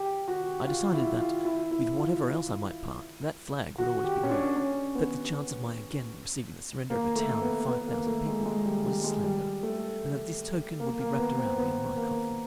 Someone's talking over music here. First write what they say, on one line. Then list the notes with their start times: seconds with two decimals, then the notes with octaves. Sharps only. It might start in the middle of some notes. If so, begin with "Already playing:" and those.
I decided that, with whatever else I might part, that flag would always be mine, that the chance of my again receiving the surrender of a town of five thousand people was slender, and that this token would be wrapped around me in my coffin.
Already playing: G4
0.28 F#4
0.67 F4
0.93 E4
1.19 F4
1.45 E4
1.71 E4
1.96 F4
3.78 F#4
4.04 G4
4.23 C#4
4.31 D4
4.57 C#4
4.95 B3
6.90 A#3
7.16 A3
7.42 B3
7.68 B3
7.88 A#3
8.07 A3
8.27 G#3
8.46 G#3
8.65 G3
8.85 G3
9.04 G#3
9.24 G3
9.63 A3
10.80 A#3
11.00 A#3
11.19 B3
11.38 C4
11.57 B3
11.96 A#3